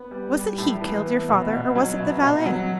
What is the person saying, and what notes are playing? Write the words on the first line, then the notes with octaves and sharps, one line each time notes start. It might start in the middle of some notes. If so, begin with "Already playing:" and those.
Was it he killed your father or was it the valet?
Already playing: B3
G3
G3
A2
E3
B3
B2
B2
F#3
B2
B2
F#3